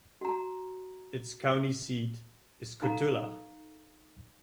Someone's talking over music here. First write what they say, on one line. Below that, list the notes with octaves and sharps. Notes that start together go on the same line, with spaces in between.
Its county seat is Cotulla.
F#4 A#5
D#4 A4 F5 A#5